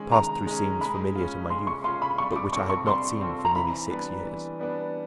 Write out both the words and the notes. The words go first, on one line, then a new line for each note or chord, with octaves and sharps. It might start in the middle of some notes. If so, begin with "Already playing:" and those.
I passed through scenes familiar to my youth, but which I had not seen for nearly six years.
Already playing: D#3 G#3 C#4
D#3 A#5
G#3 C#4
G#3 B5
C#4 F4
G#3 C6
C#6
C#4 F4 C6
B5
G3 C#6
D6
C4 F4 A4 C#6
C#6
G3 C6
C4 F4 A4
A#5
E3 B5
G3 B3 D4
E3
G3 B3 D4